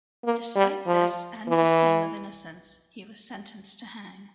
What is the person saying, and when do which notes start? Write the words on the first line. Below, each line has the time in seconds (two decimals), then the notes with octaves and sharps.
Despite this and his claim of innocence, he was sentenced to hang.
0.25 A#3
0.56 G3
0.87 F3
1.48 E3